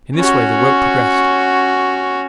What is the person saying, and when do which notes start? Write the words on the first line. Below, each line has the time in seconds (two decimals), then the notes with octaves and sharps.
In this way the work progressed.
0.16 C#4 F#4